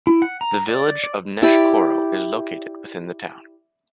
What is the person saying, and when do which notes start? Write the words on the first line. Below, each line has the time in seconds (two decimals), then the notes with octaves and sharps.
The Village of Neshkoro is located within the town.
0.07 E4
0.22 F#5
0.41 A#5
0.69 D5
1.04 D5
1.42 E4 G4 D5 B5